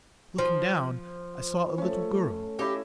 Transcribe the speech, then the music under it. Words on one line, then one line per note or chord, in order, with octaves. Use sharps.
Looking down I saw a little girl.
F3
A3 C#4
C#4 D#4 E4 G4 E5